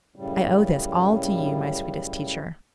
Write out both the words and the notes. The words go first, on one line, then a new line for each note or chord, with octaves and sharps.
I owe this all to you, my sweetest teacher.
F#2 A2 C#3 G3